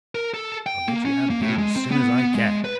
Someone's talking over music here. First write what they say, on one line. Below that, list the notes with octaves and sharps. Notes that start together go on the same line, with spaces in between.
I'll get you out of here as soon as I can.
A#4
A4
G5
A#3
C#4
A#3
A2
G#3
C4
B3
G#3
B4